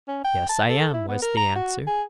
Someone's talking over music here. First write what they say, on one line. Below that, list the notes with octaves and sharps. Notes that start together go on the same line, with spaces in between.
'Yes, I am,' was the answer.
C#4
G5
A5
A4
E4
B3
A#4
A#5
F#4
G#4